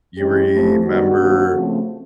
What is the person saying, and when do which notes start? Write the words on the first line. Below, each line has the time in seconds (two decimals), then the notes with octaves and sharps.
you remember,
0.17 E3 G#3 C#4 G4
0.52 A2 F3 A3 C4
0.85 D#3 G3 B3 F#4
1.19 C3 D#3 F#3 A#3
1.52 C#3 F3 A3 C4